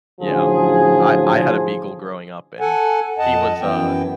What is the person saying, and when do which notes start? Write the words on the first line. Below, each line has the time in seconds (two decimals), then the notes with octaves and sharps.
Yeah, um, I I had a beagle growing up, and he was a
0.21 A1 D3 F3 F#3 G#4
2.60 A4 F#5 G#5
3.18 F2 D#5 F#5 A5
3.61 F#2 E3 B3 G5